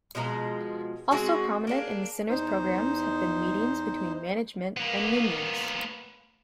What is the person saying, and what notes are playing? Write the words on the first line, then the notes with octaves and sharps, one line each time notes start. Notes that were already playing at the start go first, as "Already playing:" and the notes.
Also prominent in the center's programs have been meetings between management and unions.
B2 F3 G#3 A#5
G#3 C4 F#4 G#4
A#3 D4 G#4
E2 D#4 C5
A#3 B3